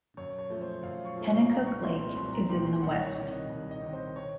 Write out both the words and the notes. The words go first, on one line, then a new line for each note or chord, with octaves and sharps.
Penacook Lake is in the west.
F#2 C#5
C#5
F3 A3
C5
F#2 F5
C#6
F3 A3
C#6
C2 A#5
C#6
A#2 A3 C4 C6
C6
C2 C6
A#5
A#2 A3 C4 C6
C6
C2 F#5
C#5
C3 D#3 C#5
D#5
C2
D#5
C3 D#3
C5
C#5